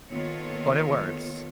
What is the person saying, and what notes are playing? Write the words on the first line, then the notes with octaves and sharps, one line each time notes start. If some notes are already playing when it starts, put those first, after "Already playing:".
but it works.
D#3 A#3 B3 F4 A4 C#5